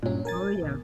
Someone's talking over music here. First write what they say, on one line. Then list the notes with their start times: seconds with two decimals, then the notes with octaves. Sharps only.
Oh, yeah.
0.03 G2 A#2 F#3 C#4
0.25 A#4 G#5 A6
0.62 A#1 E2